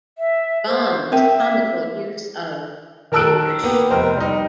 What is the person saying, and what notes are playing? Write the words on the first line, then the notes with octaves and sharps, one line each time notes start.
Bomb's comical use of Engrish.
E5
C5
C4 A#4 E5 G5
D#3 A#4 A5 E6 F#6 D7
A#3 B3 G4
F1 A#4 C5
G3 D#4